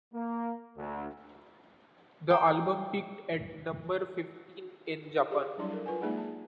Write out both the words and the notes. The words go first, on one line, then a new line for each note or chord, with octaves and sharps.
The album peaked at number fifteen in Japan.
A#3
D2
A4 G5 A#5
G4 G#4 C#5 F5
F#3 G3 D4 E4 D5 C6
A4 A#4
F4 B4 F#5 G#5
G#3 A#3 D#4 G#4 D5 F#5
A5